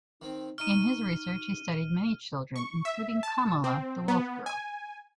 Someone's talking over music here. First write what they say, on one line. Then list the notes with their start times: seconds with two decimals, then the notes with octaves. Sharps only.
In his research he studied many children, including Kamala, the wolf girl.
0.22 D#3 C4
0.58 D#4 D#5 C#6 F6 D#7
2.56 C#6
2.85 E5
3.23 A5
3.64 C4
4.08 B3
4.46 G#5